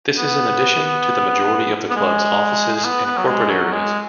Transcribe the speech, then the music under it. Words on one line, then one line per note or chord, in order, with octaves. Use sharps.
This is in addition to the majority of the club's offices and corporate areas.
B3
B3
G#3
G#3
B3
B3
F#3
G#3
F#3
G#3